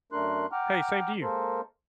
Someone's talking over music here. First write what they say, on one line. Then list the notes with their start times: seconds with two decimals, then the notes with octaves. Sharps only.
Hey, same to you.
0.12 F#2 A3 D4 A#4 C6 F#6
0.52 F#5 G5 A#5 D6 F6
1.22 G#3 A#3 A4 A#4 C5